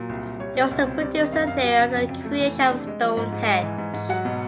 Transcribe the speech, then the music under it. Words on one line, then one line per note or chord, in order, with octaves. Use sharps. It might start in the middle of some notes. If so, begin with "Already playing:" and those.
He also produced a theory on the creation of Stonehenge.
Already playing: A#2 F#3
C2
C2
G3 C#5
B2
C#2
C4
G3 D5
D#3 D#5
F#2 F5
F#2 F5
F#3 G5
C#3
F2
F2
A3
E3
C3
D4
G#3
F3
G#2
G#2
G#3
E3
G#2
G#2
F#3 F#5
B2